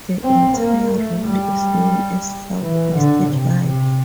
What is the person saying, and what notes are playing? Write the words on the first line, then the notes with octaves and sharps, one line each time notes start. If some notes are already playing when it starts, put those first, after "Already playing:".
The entire route is known as Southeast Drive.
C4
A#3
A3
G3
E3
D3
C3
C3